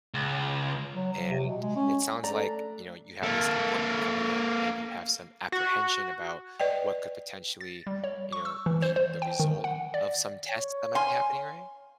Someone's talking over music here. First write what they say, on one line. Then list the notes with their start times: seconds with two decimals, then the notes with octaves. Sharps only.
And it sounds like, you know, you have this appointment coming up, and you have some apprehension about what could potentially, you know, be the result of some tests that might be happening, right?
0.14 C#2
0.95 F#3
1.13 F#3
1.30 C3
1.48 B2
1.61 G#3
1.76 C#4
2.24 A3 D4 D5 A#5
3.23 A#3 A4
5.52 F#4
6.60 B4 D5 D#5 G5
7.61 A6
7.87 G3
8.04 C#5
8.32 C#6
8.45 E6
8.66 E3
8.82 C5
8.96 C5
9.22 G5
9.40 D#3
9.64 F#5
9.94 D5
10.48 C#5
10.95 F5 G#5 C6